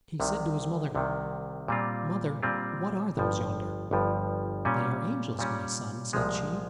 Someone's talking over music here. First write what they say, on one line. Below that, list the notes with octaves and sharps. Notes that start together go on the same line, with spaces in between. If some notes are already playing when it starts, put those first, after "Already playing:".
He said to his mother, "Mother, what are those yonder?" "They are angels, my son," said she.
C2 C3 D#3
C2 C3 D#3
A#2 G3 C4 F4
A#2 G3 C4 F4
G1 G2 F3
G1 G2 F3
A#2 G3 C#4
A#2 G3 C#4
C2 A#2 F3 G#3